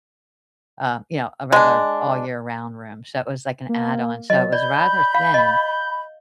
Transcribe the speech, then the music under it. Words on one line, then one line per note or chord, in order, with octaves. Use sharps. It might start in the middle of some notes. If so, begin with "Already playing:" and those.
uh, you know, a regular all-year-round room, so it was, like, an add-on, so it was rather thin,
G#3 D4
A#3
F#3 D#5
D5 B5 G6
F5
D#5